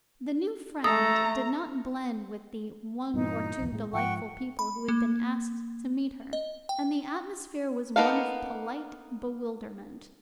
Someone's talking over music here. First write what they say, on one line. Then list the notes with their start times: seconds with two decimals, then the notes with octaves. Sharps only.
The new friend did not blend with the "one or two delightful people" who had been asked to meet her, and the atmosphere was one of polite bewilderment.
0.84 A3 A4 A#5 D#6
3.14 G2 A#2 E3 D#4
3.59 B1 E2
3.72 A2 G#3
3.92 G#2 F3 F#5 G5 C#6
4.59 B5
4.88 A#3
6.33 D#5
6.69 G5
7.96 A#3 B3 D#4 A4 F5